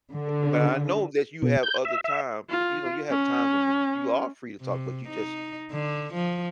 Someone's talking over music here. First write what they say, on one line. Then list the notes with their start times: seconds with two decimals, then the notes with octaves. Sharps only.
eh, but I know that you have other time, you know, you have times when you you are free to talk, but you just
0.12 D3
1.42 B2
1.63 G6
1.85 E5
2.04 E5
2.50 F4
3.10 C#4
4.62 C3
5.08 D#4
5.72 D3
6.14 F3